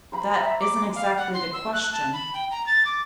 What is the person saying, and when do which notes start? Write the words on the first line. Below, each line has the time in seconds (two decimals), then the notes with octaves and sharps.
'That isn't exactly the question.
0.12 C5 A#5 B5
0.40 E5
0.60 D6
0.96 F5
1.17 F#5
1.34 C6
1.53 E6
1.73 F#6
1.92 A5
2.13 B5
2.34 G5
2.51 A#5
2.67 A6
2.85 D6